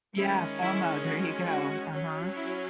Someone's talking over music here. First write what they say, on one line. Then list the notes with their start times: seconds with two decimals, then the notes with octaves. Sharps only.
Yeah, FOMO, there you go, uh-huh.
0.17 D#3 G#3 C#4 E4
0.61 E4
1.04 F#4
1.48 F#4
1.92 F#3 C#4
2.35 E4